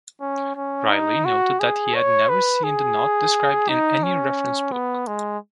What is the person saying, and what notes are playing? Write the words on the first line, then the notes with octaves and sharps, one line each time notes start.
Riley noted that he had never seen the knot described in any reference book.
C#4
C#4
D#4
F#4
G#4
C#5
B4
G#4
D#4
C#4
B3
G#3